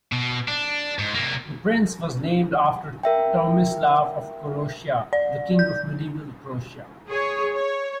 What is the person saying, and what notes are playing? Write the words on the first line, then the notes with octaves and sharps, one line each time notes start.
The Prince was named after Tomislav of Croatia, the King of medieval Croatia.
B2
D4
G#2
C3 A#3
A#4 E5 G5
D5
G6
G#4 C#5
C#5